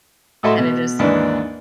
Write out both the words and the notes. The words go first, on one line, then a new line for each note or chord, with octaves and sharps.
kinda just
A2 F#4 A4 D#5 E5 C6
B2
D#2 G#2 E3 D4 D5